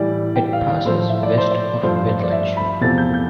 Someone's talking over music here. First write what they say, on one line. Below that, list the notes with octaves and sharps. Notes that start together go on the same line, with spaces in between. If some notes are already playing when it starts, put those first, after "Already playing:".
It passes west of Wittlich.
Already playing: A2 E3 G3 D5
G5
F5
A2 F3 A3 C5
E5
D5
C5
D5
G2 F3 A3 C5
C5
C5
D5
E5
B5
E2 C3 F3 A3 A6
G6
G6